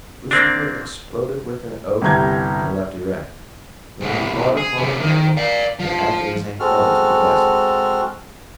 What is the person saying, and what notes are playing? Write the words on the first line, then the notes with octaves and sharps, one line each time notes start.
Lucifer exploded with an oath and leapt erect, leaning hard upon the handle that acted as a helm to the vessel.
A#3 C4 D4
G1 C2 G4 A#5 G6 G#6
C2 B2
G#4
F2 C3
D#3
D5 F5
F3
G#3 C4 F#4 A4 F6